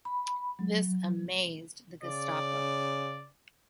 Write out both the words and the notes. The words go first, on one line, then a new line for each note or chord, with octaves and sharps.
This amazed the Gestapo.
B5
F#3
C#3 D5